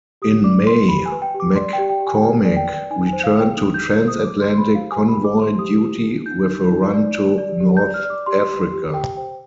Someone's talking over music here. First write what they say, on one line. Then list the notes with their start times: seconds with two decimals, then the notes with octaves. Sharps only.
In May, "McCormick" returned to transatlantic convoy duty with a run to North Africa.
0.22 G4 D#6
0.44 D5 D6
0.67 B4 C6
0.89 G4 B5
1.06 G#5
1.12 B4
1.22 G5
1.34 G4
1.40 D6
1.56 D5 C6
1.73 G5
1.78 G4
1.89 G5
2.00 G4
2.07 G#5
2.17 G5
2.23 B4 G#5
2.45 D5
2.57 G5
2.68 B4
2.74 G5
2.90 D#4 G#5
3.07 G#5
3.13 C5
3.24 F5
3.35 G#4
3.40 G5
3.57 D#4 D#6
3.74 G6
3.80 G#4
3.90 G6
4.03 C5
4.08 D#6
4.24 C5 D6
4.41 C6
4.47 C5
4.54 C6
4.58 B5
4.70 G4
4.75 F5
4.91 G4 G#5
5.09 B5
5.14 G4
5.24 D6
5.36 C5
5.42 C6
5.58 G4 D#6
5.82 G4
6.04 D#4
6.26 D#4 G6
6.48 D#4
6.71 D#4
6.93 D5
7.15 D5
7.38 D5
7.60 G4
7.77 G6
7.82 D5
7.94 F6
8.05 D5
8.10 D6
8.26 G4 C6
8.49 G4
8.72 G4
8.94 G4 G5
9.17 C5 G5